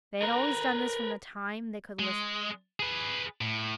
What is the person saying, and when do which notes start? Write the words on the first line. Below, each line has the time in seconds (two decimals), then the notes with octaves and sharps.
They had always done this from the time they could lisp...
0.22 A#4 B4
1.99 G#3
2.80 G#4 B4
3.41 A2